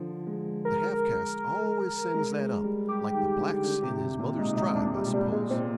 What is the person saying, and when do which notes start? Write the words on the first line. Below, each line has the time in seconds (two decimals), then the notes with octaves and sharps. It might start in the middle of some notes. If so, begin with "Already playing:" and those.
The half-caste always sends that up--like the blacks in his mother's tribe, I suppose.'
Already playing: D3 F3
0.27 G#3
0.65 A#4
2.15 G#3
2.40 G#3
2.63 G3
2.88 G3 G4
3.14 D#3
3.39 D3
3.64 D3
3.82 C3
4.00 C3
4.20 A#2
4.39 G#2 D#4
4.53 C3 D#4
4.64 A#2
4.75 D4
4.88 G#2
4.95 G3
5.07 C3
5.13 A#2 G3
5.32 G#3
5.50 A#2 C4